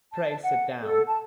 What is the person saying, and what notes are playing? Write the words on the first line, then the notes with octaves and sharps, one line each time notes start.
Pray sit down.
A5
F#5
A4
A5